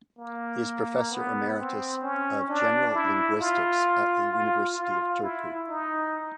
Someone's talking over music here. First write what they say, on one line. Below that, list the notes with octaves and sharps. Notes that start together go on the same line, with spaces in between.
He is professor emeritus of general linguistics at the University of Turku.
A#3
B3
C4
C#4
D4
E4
F4
F4
F4
E4
D#4